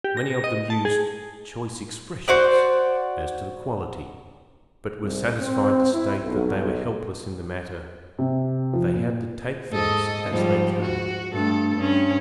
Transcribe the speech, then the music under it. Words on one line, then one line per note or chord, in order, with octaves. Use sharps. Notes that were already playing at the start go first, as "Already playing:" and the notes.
Many of them used choice expressions as to the quality but were satisfied to state that they were helpless in the matter; they had to take things as they came.
G4
A#6
D#5
A5
G#4
F#4 C5 D5
C2
C4
E4
B1
C3
F3
A#2
G#2 A4 D#5
G#2 F3 G3
F#4
G2 A3 A4
G2 C#4